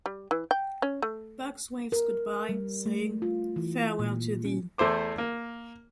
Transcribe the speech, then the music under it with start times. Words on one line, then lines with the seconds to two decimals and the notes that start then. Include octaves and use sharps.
Bugs waves goodbye, saying: "Farewell to thee".
0.06 G3
0.31 E3
0.51 G5
0.82 C#4
1.02 A3
1.92 A#4
2.49 G3
2.86 A3
3.22 F4
3.56 E3
3.99 A#2
4.45 C#4
4.78 E2 A3 E4 C5 D6
5.18 A#3